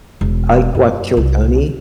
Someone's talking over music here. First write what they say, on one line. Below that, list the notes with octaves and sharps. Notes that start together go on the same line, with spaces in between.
I like to watch Kill Tony,
E1
F#2
C2